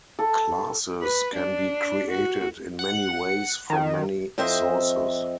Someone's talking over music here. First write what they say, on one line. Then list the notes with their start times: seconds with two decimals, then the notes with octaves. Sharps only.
Classes can be created in many ways from many sources.
0.19 A4
1.02 B4
1.35 D4
2.11 F#4
2.79 F#5
3.70 D#3
4.38 F2 C4 C5 D#5 E5